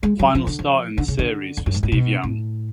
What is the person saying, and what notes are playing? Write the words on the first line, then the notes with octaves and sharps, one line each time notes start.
Final start in the series for Steve Young.
G#3
F#3
F3
D3
F3
D3
C#3
D3
F2
F#2
G#2
A2
B2
A2